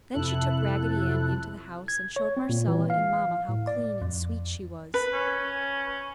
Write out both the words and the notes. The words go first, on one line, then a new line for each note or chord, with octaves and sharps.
Then she took Raggedy Ann into the house and showed Marcella and Mamma how clean and sweet she was.
F2 C3 E4 A4 F#6
G#6
C#5
C4
A#2
E3
F5
A2
D5
F2
B4
C#4